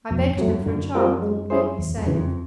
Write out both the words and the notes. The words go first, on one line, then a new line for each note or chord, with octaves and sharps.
I begged him for a charm that would make me safe.
F2 B2
F2 F#3 A3
F#2
F#2 D3
G3 C4 F4 A#4
G#3
C#4 E4 G#4 C5
E2
F2
C#3 E3
F2